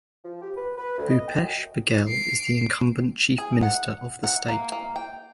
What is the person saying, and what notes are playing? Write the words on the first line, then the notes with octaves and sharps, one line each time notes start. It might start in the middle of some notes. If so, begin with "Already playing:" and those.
Bhupesh Baghel is the incumbent Chief Minister of the state.
F3
G4
B4
B4
D2
D#5
G5
F#2
C7 D7
G#4
F#5
F#5
A#3
A#3
G5